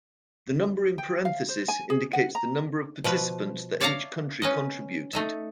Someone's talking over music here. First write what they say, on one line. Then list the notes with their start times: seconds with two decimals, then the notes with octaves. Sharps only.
The number in parentheses indicates the number of participants that each country contributed.
0.98 G5
1.25 F5
1.49 C5
1.68 G#5
1.90 G#4
2.13 F#5
2.35 A#5
3.04 B2 F3 B4
3.80 C#5 D5 E5 F5 A5 A#5
4.42 C#4 B4 D#5
5.13 A3 D#4 E5